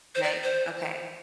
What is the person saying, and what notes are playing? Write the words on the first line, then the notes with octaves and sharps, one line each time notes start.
Right, okay.
C5
D5
C5